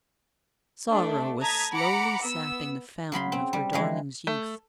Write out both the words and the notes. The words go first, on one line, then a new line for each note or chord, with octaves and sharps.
Sorrow was slowly sapping the fountain of her darling's youth.
A3 D4
A5 A#5 D#6 G#6 B6
F#5 A#5 B5 D6 C#7
B3 E6
C#3 F#3 B5 C6
C4
G3
E3 F3 G#3
A3